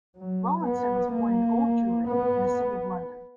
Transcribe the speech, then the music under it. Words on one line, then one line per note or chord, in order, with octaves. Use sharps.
Rowlandson was born in Old Jewry, in the City of London.
F#3
B3
A#3
B3